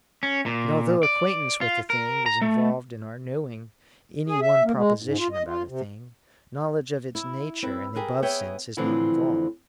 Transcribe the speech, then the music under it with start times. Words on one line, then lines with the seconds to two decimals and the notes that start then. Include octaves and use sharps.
And although acquaintance with a thing is involved in our knowing any one proposition about a thing, knowledge of its 'nature', in the above sense, is not involved.
0.23 C#4
0.46 A#2
1.03 D5
1.61 F4
1.90 A#4
2.26 A#5
2.42 A3
4.28 G#4
4.41 E5
4.64 A#3
4.76 G#3
5.03 G#2
5.18 F4
5.32 D#5
5.46 F4
5.68 C3
7.15 E4
7.62 C4 E4 B4
7.95 G4 G#4 A#4 B4
8.22 B3 G#4 C#5 E5 G5
8.77 D3 E3 F3 A3 C4 D4